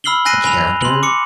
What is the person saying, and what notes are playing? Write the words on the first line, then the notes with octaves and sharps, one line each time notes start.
the character
B5 E6 F6 C7 F#7 G7
G#5 F#6 A#6 C7 D#7
G#5 B5 F7
C6 F#7
D6 C#7